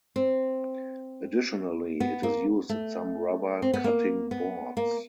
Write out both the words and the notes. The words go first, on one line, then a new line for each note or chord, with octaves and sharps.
Additionally, it is used in some rubber cutting boards.
C4
B3
A#3
A3
C4
B3
A#3
B3
A#3